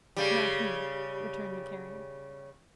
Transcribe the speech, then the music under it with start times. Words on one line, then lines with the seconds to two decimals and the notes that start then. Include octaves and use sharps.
"Not he," returned the Carrier.
0.16 C#3 G3